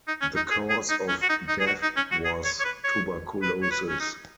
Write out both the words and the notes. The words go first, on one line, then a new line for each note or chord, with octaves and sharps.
The cause of death was tuberculosis.
D#4
C#4
D#4
G#4
G#4
D#4
C#4
F#4
D#4
D#4
G#4
F#4
D#4
C#4
F#4
G#4
C#5
C#5
B4
C#5
B4
C#5
B4
C#4
D#4